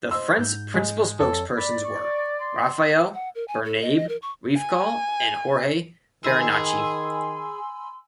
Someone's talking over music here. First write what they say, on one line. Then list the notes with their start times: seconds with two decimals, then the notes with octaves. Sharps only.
The Frente's principal spokespersons were Rafael Bernabe Riefkohl and Jorge Farinacci.
0.11 C5 D#5 C6 E6
0.39 G#2 G6
0.74 G#3
1.20 F2 A4 C#5
1.57 D5 B5
1.85 C#6
2.40 C6
3.14 F#5
3.35 A#4
3.48 G#5
3.65 A4
3.82 D#5
3.96 D#5
4.09 A#4
4.22 C#6
4.57 G#5
6.24 D#3 G#4 G#5 B5 C6 E6